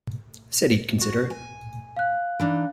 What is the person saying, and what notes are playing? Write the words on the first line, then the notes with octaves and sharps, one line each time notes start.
Said he'd consider it.
F#4
G#5
F5 F#6
E3 D4 D#4